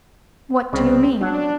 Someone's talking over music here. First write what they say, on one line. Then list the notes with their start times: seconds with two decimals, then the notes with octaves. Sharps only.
"What do you mean?"
0.73 C2 C#3 C4
1.21 F#3 D4 F#5